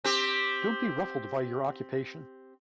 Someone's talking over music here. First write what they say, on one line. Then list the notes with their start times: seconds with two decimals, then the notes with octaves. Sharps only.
Don't be ruffled by your occupation.
0.04 C4 G4